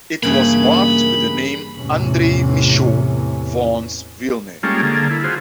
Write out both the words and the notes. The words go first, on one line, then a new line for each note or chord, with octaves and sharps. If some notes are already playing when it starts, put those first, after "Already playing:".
It was marked with the name "Andre Micheaux", Vaughn's real name.
G2 C#3 E3 A#3 B5
E2 A2 C3 E3 C#4
G3 G#3 A#3 C#4 F4 A4
D3 A#3 G#4 A4
E4
F4 F#4 G#4 C5